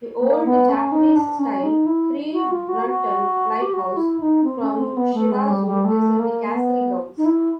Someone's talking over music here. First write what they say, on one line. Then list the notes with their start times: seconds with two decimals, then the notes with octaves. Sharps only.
The old Japanese-style pre-Brunton lighthouse from Shirasu is in the castle grounds.
0.22 A#3
0.46 B3
0.69 C#4
0.92 D#4
1.16 D4
1.39 C#4
1.63 D#4
1.86 E4
2.33 F#4
2.51 F4
2.68 F#4
2.86 F#4
3.61 G4
3.73 F#4
3.97 E4
4.20 D#4
4.44 C4
4.61 C#4
4.79 C4
4.97 B3
5.14 A3
5.31 G#3
5.50 G3
5.67 G3
5.85 A3
6.19 A#3
6.48 A#3
6.54 B3
7.18 D#4
7.25 E4